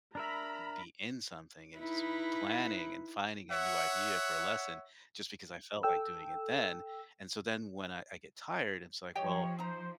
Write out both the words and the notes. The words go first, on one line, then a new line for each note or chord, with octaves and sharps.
be in something, and just planning and finding a new idea for a lesson just because I felt like doing it then. And so then when I I get tired, it's like, "Well,
D4 A#4 E5 A#5 B5
D#4 E4 B4
C#5 E5 F#5
A4 G5 E6
F3 G4 C#5 D#5 G5
D#4 C5 A#5